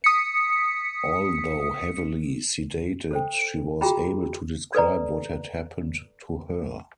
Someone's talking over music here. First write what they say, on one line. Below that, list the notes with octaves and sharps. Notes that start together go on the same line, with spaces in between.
Although heavily sedated, she was able to describe what had happened to her.
D#6 B6 C#7
A4 C5 G5
F4 F#4 G#4 G5 A#5 B5
A4 B4 D5 A#5